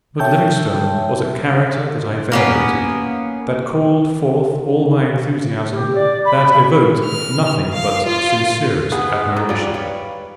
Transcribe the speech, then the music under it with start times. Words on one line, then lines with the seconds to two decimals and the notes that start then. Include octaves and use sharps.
But Livingstone was a character that I venerated, that called forth all my enthusiasm, that evoked nothing but sincerest admiration.
0.19 C#5 E5 G5 A5 E6 G6
2.32 A#3 B3 C#4
5.71 G4
5.95 D5
6.25 B5
7.05 F6
7.73 F5
8.07 F4
8.92 B3 G#4
9.37 D#3
9.49 F#3 G3 F4 D5
9.74 B4 C#5 F5